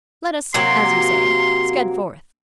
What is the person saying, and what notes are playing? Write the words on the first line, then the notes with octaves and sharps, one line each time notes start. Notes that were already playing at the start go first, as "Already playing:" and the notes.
Let us, as you say, scud forth.
C3 F#3 A#3 C6